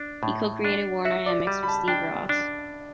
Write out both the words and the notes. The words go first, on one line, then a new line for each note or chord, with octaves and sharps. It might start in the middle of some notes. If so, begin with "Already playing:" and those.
He co-created Warner-Amex with Steve Ross.
Already playing: D4
A2
D4
F#4 E5
D5
G3
B5
A5
D4 G5
D4